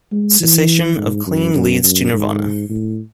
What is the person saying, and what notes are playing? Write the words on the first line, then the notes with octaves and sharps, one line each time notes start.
The cessation of clinging leads to Nirvana.
G#3
E3
G#2
F#2
F#2
F#2
G#2
A2